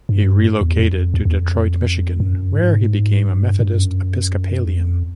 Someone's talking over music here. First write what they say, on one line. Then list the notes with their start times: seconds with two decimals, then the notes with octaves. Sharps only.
He relocated to Detroit, Michigan where he became a Methodist Episcopalian.
0.09 G2
0.61 E2
0.79 F2
1.14 E2
1.25 E2
1.38 F2
2.20 F#2
2.54 G#2
3.25 G2
3.60 G2
3.78 F#2
4.66 F2